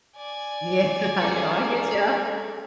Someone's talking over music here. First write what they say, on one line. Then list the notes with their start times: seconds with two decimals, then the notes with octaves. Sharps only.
Yeah, no, I get ya,
0.17 D5 G#5
1.21 C#4 G#4 A4 A#5